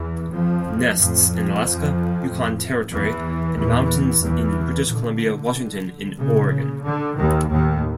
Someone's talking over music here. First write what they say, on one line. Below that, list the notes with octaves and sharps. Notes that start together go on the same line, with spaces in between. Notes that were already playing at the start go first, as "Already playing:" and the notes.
Nests in Alaska, Yukon Territory, and mountains in British Columbia, Washington, and Oregon.
Already playing: E2 E3
F2 F3
F2 A2 F3
A2
E2 E3
E2 A#2 E3
E2 E3
A#2 D3
A#2 C#3
D3
D#2 D#3
D#2 A2 D#3